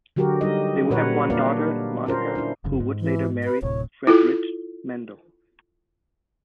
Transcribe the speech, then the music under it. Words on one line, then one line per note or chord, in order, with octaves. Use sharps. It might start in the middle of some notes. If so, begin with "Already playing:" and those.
They would have one daughter, Monika, who would later marry Friedrich Mandl.
D3 F#3 F#4 G4 A#4
G3 D#4 D#5
A#2 A#4 B4 C#5 F#5
A#3 D4 A#4 B4 D5 F5
C#4 F4 A#4 C5
D4 E4
F1 F#2 C#3
G#2
E3
B4
D1 A2 C3 C#5
E4 F4 A4